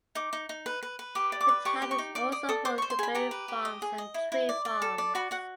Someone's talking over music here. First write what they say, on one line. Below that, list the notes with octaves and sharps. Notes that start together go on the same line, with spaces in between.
The town is also home to berry farms and tree farms.
D#4 D6
D#4
D#4
B4
B4
B4
G4 D6
D5
D6
B4
G4 C#6
G4
C#6
D#4
D5 D6
D5 D#6
A4 D#6
C5 D6
C#6
C5
C6
G#4 B5
G4 A#5
B4
G4
D#5
G#4
D#5
E4
E4
D5
D5
A4
D5
F#4 B5
F#4 F#5